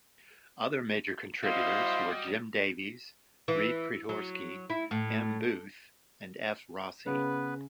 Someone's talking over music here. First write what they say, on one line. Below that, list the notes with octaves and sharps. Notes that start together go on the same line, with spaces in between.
Other major contributors were Jim Davies, Reid Priedhorsky, M. Booth, and F. Rossi.
G3 E4 F#4 C5 D#5 F5
E3
F#3
E4
A2
C#3 B3 B4